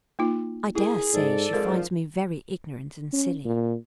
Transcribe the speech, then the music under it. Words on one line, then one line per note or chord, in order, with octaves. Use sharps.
I dare say she finds me very ignorant and silly.
A#3 D#4 F4
E4 G#4 A#4
G#2 A4 D5
F2 G#2 F3 G#3 A#4
C#4
A#2